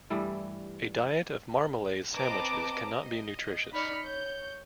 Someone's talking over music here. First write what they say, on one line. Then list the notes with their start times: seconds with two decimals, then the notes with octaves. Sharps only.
A diet of marmalade sandwiches cannot be nutritious.
0.10 G2 E3 G3 A3
2.16 C4 B4 D#5 A5 A#5 D6
2.89 D#5
3.73 D#4 D5 B5 F6 B6 C#7
4.02 C#5 G6